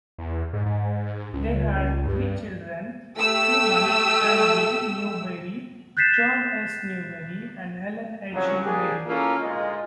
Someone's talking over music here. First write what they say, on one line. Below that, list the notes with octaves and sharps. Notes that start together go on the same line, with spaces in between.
They had three children, Truman Handy Newberry, John S. Newberry and Helen H. Newberry.
E2
G#2
G#2
C#2
G2
A3 G4 E6
F#6 G6 A6 B6 C7 E7
C2 C#3 F3 F#3
A#3 D4 G4 G#4
A#3 C#4 E4 F4 A4 A#4
D2 A#2 G#3 D#4 F4